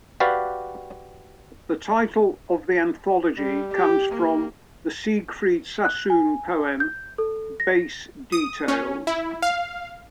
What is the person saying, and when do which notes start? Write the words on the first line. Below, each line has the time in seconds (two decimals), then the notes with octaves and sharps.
The title of the anthology comes from the Siegfried Sassoon poem Base Details.
0.20 F#4 G4 B4 D5 F5
3.37 G3
3.74 G4
4.12 A#3
5.85 F#6
6.10 G#5
6.80 G6
7.18 A4
7.60 A#6
8.32 D#6
8.68 C#4
9.07 E4
9.42 F5